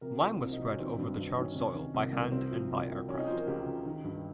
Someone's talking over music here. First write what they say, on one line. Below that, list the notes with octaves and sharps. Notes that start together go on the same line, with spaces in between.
Lime was spread over the charred soil by hand and by aircraft.
C3 A#4
F3
C2 C5
D#4
C2
C#4
D#3 C4
G2 C4
G2 C4
D#3 C#4
C3 C#4
D#3
C2
C2
C3 C4
F3
C2
C2
C3 C#4
D#4
F3 C5
A#4
C#2 G4
C#2
D#3
G2